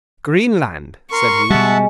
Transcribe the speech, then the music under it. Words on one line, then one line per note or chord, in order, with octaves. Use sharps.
"Greenland!" said he.
A#4 C6 C#6
B2 G3 G#3 E5 F#5 A5